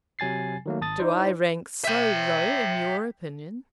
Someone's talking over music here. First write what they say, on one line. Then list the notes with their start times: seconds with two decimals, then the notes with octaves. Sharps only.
'Do I rank so low in your opinion?'
0.19 C3 F#3 G#5 A6 C7
0.66 D#3 F#3 A3 A#3
0.81 G#1 A5 D#6 A6
0.98 D#4 E4 C5 D5
1.84 E5 G5